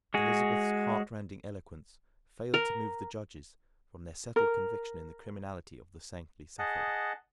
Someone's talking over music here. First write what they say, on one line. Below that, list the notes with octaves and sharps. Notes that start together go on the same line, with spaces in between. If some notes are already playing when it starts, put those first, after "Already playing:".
Elizabeth's heart-rending eloquence failed to move the judges from their settled conviction in the criminality of the saintly sufferer.
G#3 F#4 G#4
A#4
A#4
G#4 D#5 F#5 A5